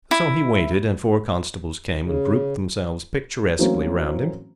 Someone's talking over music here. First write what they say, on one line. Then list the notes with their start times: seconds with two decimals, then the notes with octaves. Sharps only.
So he waited, and four constables came and grouped themselves picturesquely round him.
0.11 E4
2.01 C#3
3.59 E3 F#3 A3 A#3 C4 C#4